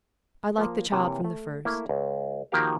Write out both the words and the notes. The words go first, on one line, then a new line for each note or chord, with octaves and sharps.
I liked the child from the first.
F3 A#3
C3 E3 A#3 G4 C#5
A3
A3 A#3 E4
C#2
D#3 F3 A#3 F#4 G4 F5